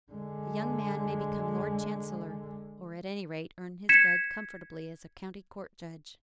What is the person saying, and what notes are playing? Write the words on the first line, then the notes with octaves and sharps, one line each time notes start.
The young man may become Lord Chancellor, or at any rate earn his bread comfortably as a county court judge.
D3 G#3
G#6 B6 C#7 E7